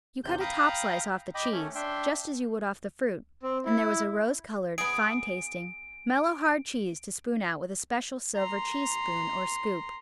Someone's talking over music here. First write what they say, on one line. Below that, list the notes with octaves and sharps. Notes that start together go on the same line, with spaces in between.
You cut a top slice off the cheese, just as you would off the fruit, and there was a rose-colored, fine-tasting, mellow-hard cheese to spoon out with a special silver cheese spoon or scoop.
E2 C3 G6
F5 G5 A#5 B5 D#6 F#6
D#5 G5 B5 D6
A3 C#4
D4 E5 G5 C6
C4
E4
B3 G#4 D7
A#5 C6